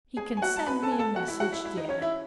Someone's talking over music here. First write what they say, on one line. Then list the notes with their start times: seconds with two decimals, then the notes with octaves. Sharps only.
He can send me a message there.
0.17 G#4 G#5
0.37 G#5
0.42 F#4 F#5
0.56 A5
0.66 B4 B5
0.82 A4 A5
0.91 G#5
0.99 A4 A5
1.16 F#4 F#5
1.28 E4 E5
1.40 F#4 F#5
1.52 E4 E5
1.65 E4 E5
1.77 D#4 D#5
1.89 C#4 C#5
2.02 E4 E5